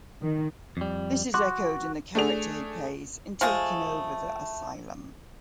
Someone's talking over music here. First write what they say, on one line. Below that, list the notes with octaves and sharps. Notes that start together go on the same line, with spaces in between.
This is echoed in the character he plays in "Takin' Over the Asylum".
D#3
F2 G3
F#4 C6 D6
A3 D4 G#4 F7
F3 G#3 A3 G#4